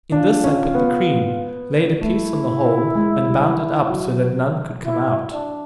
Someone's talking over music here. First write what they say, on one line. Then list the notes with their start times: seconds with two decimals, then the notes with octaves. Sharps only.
In this I put the cream, laid a piece on the hole, and bound it up so that none could come out.
0.12 D4 F4
0.44 C#4
0.75 B3
2.01 A3 E4
2.95 G#3
3.27 G3
3.90 F#3
4.84 E4
5.32 D4